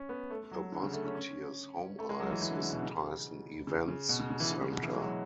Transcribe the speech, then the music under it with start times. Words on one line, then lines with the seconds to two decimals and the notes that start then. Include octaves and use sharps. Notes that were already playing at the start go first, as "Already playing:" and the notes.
The Musketeers' home ice is Tyson Events Center.
Already playing: C#4
0.09 B3
0.30 A3
0.51 F#3
0.72 D3
0.83 C#3
0.94 A3
1.05 C#4
1.15 C#4
1.99 A3
2.09 G#3
2.20 F#3
2.30 E3
2.41 E3
2.51 D3
2.62 C#3
2.73 B2
2.83 C#3
3.67 C#3
3.88 C#3
4.09 B2
4.20 C#3
4.30 C#3
4.40 E3
4.51 D3
4.62 C#3
4.72 B2
4.83 E3
4.93 G#3
5.02 F#3